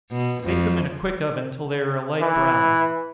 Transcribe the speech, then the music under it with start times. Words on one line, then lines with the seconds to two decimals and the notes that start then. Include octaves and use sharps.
Bake them in a quick oven till they are a light brown.
0.11 B2
0.44 F2
2.21 E3